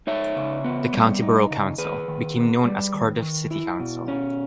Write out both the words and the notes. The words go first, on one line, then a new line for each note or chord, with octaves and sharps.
The county borough council became known as Cardiff City Council.
D#4 C#5 E5
C#3
B3
G3
D#4
C#3
D#3 G#4 B4
D#3
B3
G3
D#3
D#3
E4
B2
C#4